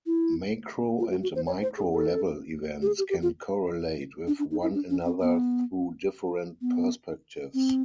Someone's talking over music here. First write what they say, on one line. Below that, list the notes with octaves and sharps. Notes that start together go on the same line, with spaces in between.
Macro and Micro level events can correlate with one another through different perspectives.
E4
F4
F#4
F#4
C5
C#5
C5
G#4
A4
G4
G#4
G4
G4
F4
D4
D4
D#4
E4
D4
C#4
C4
B3
B3
C4